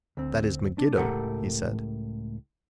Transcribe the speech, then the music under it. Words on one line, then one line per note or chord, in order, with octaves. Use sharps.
"That is Megiddo," he said.
D2 C4
D4
C#2 A2 G4 A4 A#4 F#5